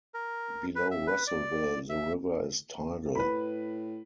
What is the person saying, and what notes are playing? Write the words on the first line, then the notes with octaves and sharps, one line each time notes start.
Below Russellville the river is tidal.
A#4
B4
E5
B4
D5
E5
A2 B4 B5